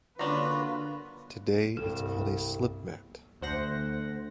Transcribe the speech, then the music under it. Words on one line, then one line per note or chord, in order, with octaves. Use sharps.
Today it's called a slipmat.
D3 A#3 C#4 D4 F4 F#4 B4 A#5
C2 G2 A4
D2 C5 F#5 A#6